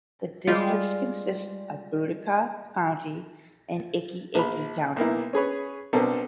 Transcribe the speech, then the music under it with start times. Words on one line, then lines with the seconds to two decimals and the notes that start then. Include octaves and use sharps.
The district consists of Budaka County and Iki-Iki County.
0.47 G3 G#3 F4
4.35 A#1 B5
4.96 B1 A#3 E4
5.33 C#4 G#4 B4 C#5
5.93 B1 B2 C4 D4 A4 A#4